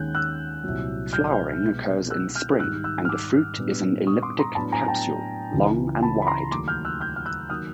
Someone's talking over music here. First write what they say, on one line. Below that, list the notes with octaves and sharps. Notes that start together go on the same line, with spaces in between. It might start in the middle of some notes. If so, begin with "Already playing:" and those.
Flowering occurs in spring and the fruit is an elliptic capsule long and wide.
Already playing: D#2 D#3 G#3 C#4 F#6 G6
E6 F#6
C2 A#2 F#3
F6 G6
B2 G#3 B3
E6 F#6
F6 G6
G#2 D#3 G3 E6 F#6
E6 F#6
F6
D6 E6
A#2 G3 B3 D4
C#6 D#6
C6 D6
A#5 C6
A2 F#3 B3 D4 A5 B5
G#5 A#5
G5 A5
C#2 C#3 E3
A5 B5
B5
A#5 C6
D#2 D#3 F#3 A3 C6 D6
F6 G6
E6 F#6
F6 G6
F6
E6 F#6
D#3 F#3 A#3 D#6 F6